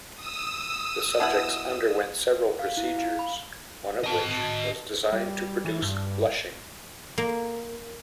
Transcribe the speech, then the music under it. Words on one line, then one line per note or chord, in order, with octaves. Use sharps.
The subjects underwent several procedures, one of which was designed to produce blushing.
D#6 E6
B2 E4 F#5
F5
E4
F5
B5
D#5 A5
G3
E3
G2
A#3